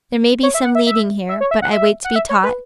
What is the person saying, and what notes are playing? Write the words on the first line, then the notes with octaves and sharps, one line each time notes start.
There may be some leading here; but I wait to be taught.
C#5
E5
F#5
E5
E5
E5
C#5
E5
F#5
E5
F#5
E5
C#5
B4